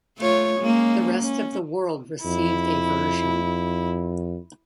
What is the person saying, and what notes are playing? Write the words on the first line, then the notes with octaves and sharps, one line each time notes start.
The rest of the world received a version.
A3 F4 C#5
G#3 A#3 C#4
C#4
F2 E4